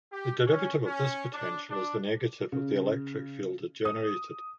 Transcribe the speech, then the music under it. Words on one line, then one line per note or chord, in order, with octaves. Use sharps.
The derivative of this potential is the negative of the electric field generated.
G4
C#4
C#4
D4
D4
C#3
D#6